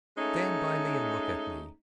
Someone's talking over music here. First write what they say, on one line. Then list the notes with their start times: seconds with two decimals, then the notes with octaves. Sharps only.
Stand by me and look at me.
0.16 G#3 A3 C#4 D#4